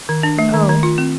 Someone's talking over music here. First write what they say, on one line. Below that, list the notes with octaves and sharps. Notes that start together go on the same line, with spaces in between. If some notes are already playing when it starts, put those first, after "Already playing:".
But oh!
D#3
D4
A3
D#3
D#3
F4
C4